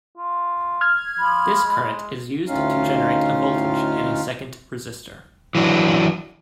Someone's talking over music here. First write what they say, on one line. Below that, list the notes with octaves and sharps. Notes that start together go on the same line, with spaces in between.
This current is used to generate a voltage in a second resistor.
F4
F6 G#6
F3 B5
G#3
D2 A2 C#4 D#4 F4 F5
E3 F#3 D4